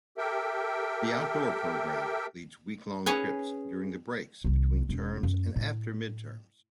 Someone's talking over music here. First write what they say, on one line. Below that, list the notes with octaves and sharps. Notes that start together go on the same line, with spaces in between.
The Outdoor Program leads week-long trips during the breaks between terms and after midterms.
G4 A4 A#4 E5 G5
C#4 G#4 B4
C2 D#3
E1 C#4
F#2
A2